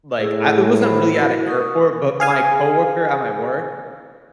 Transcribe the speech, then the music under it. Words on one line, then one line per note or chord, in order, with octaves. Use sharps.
like I it wasn't really at a airport, but my coworker at my work
A2 G#4 E6
C5 B5
E4 F#4 A#4
A#4 C#6 D#6
G#4 F5 G#5